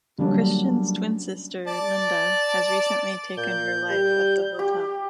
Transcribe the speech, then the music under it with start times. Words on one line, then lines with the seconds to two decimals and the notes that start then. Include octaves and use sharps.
Christian's twin sister, Linda, has recently taken her life at the hotel.
0.18 D3 F#3 G3 A#3 C#4 D4
1.67 D5 A5
3.37 A#2 G6
3.90 G3
4.59 G4